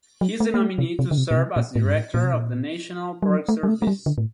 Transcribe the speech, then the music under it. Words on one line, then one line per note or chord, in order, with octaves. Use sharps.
He is the nominee to serve as director of the National Park Service.
F#3
A3
A#3
A3
C3
C3
D3
C3
A#2
C3
A#2
A2
G2
A2
A#2
C3
A#2
G3
F#3
A3
G3
A3
A3
G3
D3
A2